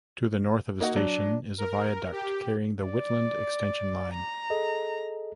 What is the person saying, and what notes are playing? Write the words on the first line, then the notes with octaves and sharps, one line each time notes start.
To the north of the station is a viaduct carrying the Whitland extension line.
A#3 D#4 F#4
F#3 D4
A#4
G4
D5
A#5
G#4 A4 D#5